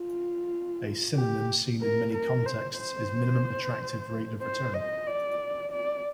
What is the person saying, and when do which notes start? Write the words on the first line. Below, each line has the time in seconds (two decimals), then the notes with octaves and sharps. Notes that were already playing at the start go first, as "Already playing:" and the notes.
A synonym seen in many contexts is minimum attractive rate of return.
Already playing: F4
1.15 G4
1.81 A#4
2.13 A#4
2.46 C5
2.78 C5
4.42 C5
4.74 D#5
5.07 D5
5.72 D5